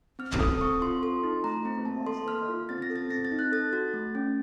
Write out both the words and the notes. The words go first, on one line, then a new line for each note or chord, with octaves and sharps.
Play music from Lastfm and Deezer.
C4 F6
A4 D#6
C4 C#6
F4 C6
A4 C6
D#4
A3 A#5
C4
A#3 A5
A4 C6
A#3 F6
F4
C4 A6
A#6
A4
A6
C4 A#6
A6
D#4
F#6
A4 A6
F#4
A3
C#4